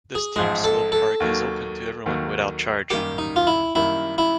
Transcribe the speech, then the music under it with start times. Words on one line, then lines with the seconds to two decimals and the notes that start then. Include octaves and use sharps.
The steep slope park is open to everyone without charge.
0.15 G#4
0.36 A1 G#2 F3 G#3 G#4
0.64 A4
0.92 A4
1.20 D#2 D#3 F#3
2.06 D#2 D#3 F#3
2.90 F#2 D#3 G3 A#3 G4
3.18 D#4
3.36 F4
3.47 E4
3.75 F#2 D#3 G3 A#3 E4
4.18 E4